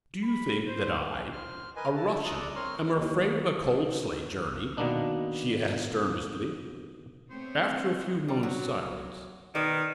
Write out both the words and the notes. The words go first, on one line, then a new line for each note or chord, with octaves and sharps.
"Do you think that I, a Russian, am afraid of a cold sleigh journey?" she asked earnestly, after a few moments' silence.
B5
C5
C5 F6
A#4 B4 D#5 G#5
E4 A5
D4 A4 D5 A#5 D#6
C4 A#4 C#5 C6 F6
D#2 D#5
B2 D#3 A#3 B3 D4 D#4
A3 B3 C4 C5 C#5
G3
F#3
B2 D#3 B4 D5